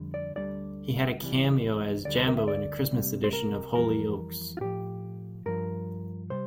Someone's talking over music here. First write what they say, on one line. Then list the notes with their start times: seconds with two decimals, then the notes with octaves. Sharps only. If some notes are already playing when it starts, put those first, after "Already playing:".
He had a cameo as Jambo in a Christmas edition of "Hollyoaks".
Already playing: F2 D3 G3
0.14 D5
0.36 D2 D3 G3 D5
1.21 C2 C3 E3 G3
2.05 D2 D3 G3 D5
2.17 C5
2.27 A#4
2.37 E5
2.48 D5
2.91 C2 C3 G3
3.24 C5
3.33 A#4
3.75 F2 E3 G3 A#4
4.57 F4
4.60 A2 F3 G4
5.46 G2 F3 A#4
6.30 C3 G3 C5